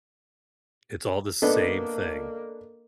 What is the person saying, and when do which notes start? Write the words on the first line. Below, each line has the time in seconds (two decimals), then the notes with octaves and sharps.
It's all the same thing.
1.42 A#3 B3 D4 A4 D#5